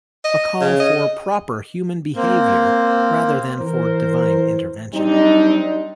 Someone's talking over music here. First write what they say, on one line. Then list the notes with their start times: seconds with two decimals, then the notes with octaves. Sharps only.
A call for proper human behaviour, rather than for divine intervention.
0.25 D#5
0.61 C#3
0.80 D#5
2.16 A#3 C4
3.57 E3 A#4 C5
4.94 F#3 G3 C4 D4 D#4